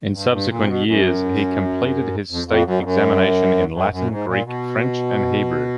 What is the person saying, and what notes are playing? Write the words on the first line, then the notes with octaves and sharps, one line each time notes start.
In subsequent years, he completed his state examination in Latin, Greek, French and Hebrew.
G2
G2
A#2
C3
B2
F#2
F2
F2
F#2
F2
F#2
F#2
F#2
G#2
A#2
B2